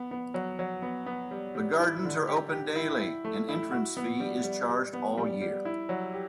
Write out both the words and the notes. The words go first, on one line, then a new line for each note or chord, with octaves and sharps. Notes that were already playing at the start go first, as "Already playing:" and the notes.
The gardens are open daily; an entrance fee is charged all year.
Already playing: B3
B3
F#3
F#3
B3
B3
G3
G3
E4
D3
G4
G4
E4
E4
A3
E4
F#4
B3
G3
G3
G3
B3
G3
G3
E4
F#3
G4